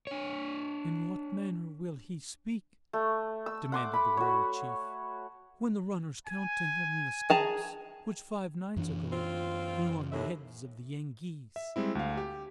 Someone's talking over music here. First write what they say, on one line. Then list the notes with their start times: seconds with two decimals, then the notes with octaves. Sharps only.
"In what manner will he speak," demanded the wary chief, "when the runners count to him the scalps which five nights ago grew on the heads of the Yengeese?"
0.07 D4 C#5
2.93 A3
3.46 E6
3.72 F#5 C6 D6
3.93 B5
4.17 F#4 C#5
6.28 G#5
7.30 G#4 A5 A#5
8.76 F#2 E3 D4
9.11 C4 F4
10.10 D#2 A2 E5
11.56 E5
11.76 G3 G#3 C4 E4
11.95 D2 F5
12.17 G4